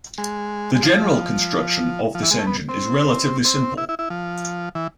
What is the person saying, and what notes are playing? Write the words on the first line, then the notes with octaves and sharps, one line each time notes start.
The general construction of this engine is relatively simple.
G#3
G#3
F3
F3
E3
G#3
A3
B3
C4
C4
E4
E4
E4
F3
E3